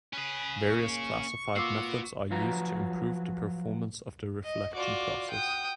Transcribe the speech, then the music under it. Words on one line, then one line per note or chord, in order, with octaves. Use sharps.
Various classified methods are used to improve the performance of the reflection process.
C#4 G#4 B4
A#3 C#6
A#3 B3 F4 F#4 D6 E6 C7
F3 F#3 F4 F#4 B4 A#5
D#5
F4 F#4 D5 D6
F#5 G5 D#6